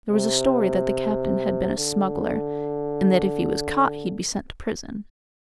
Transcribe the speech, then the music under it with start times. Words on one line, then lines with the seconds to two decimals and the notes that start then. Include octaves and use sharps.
There was a story that the Captain had been a smuggler and that if he was caught he'd be sent to prison.
0.11 C3
1.76 D3